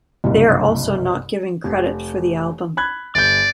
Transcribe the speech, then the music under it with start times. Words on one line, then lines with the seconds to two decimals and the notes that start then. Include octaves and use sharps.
They are also not given credit for the album.
0.24 F#1 C2 G2
1.64 F1
2.77 B5 F#6 G#6
3.15 G1 D5 G6